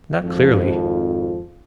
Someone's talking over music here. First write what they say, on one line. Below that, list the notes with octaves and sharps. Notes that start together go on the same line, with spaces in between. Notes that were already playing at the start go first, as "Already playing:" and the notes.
"Not clearly."
G#1 F2 F3